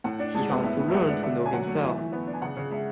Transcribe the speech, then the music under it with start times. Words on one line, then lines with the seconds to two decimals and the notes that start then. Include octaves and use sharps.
He has to learn to know himself.
0.04 A2 F#5
0.19 D4
0.35 G#3 A5
0.50 B3
0.63 A2 E5
0.79 A2
0.89 E5
0.93 G#3 F#5
1.09 D4
1.23 D3 E5
1.38 C#4
1.45 G#5
1.53 F#3 F#5
1.67 A3
1.78 F#5
1.82 E3 E5
1.97 E3
2.12 B3
2.27 D4
2.33 G#5
2.42 C#3 F#5
2.57 C#3
2.71 G#3 E5